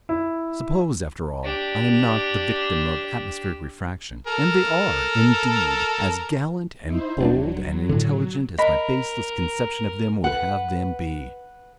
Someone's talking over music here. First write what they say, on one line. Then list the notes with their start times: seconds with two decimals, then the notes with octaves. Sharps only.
Suppose, after all, I am not the victim of atmospheric refraction, and they are, indeed, as gallant and bold and intelligent as my baseless conception of them would have them be!
0.09 E4
1.44 D4 G4
4.27 A4 A#4
6.84 D#4 E4 C5
7.20 D#1 F#3 C4 D4
7.89 A2 D3
8.59 A#4 D#5 B5
10.24 B4 F#5